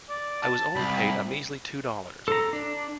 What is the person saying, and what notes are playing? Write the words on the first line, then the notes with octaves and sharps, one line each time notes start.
I was only paid a measly two dollars.
D5
A5
C2 B5
A4 A#5
D4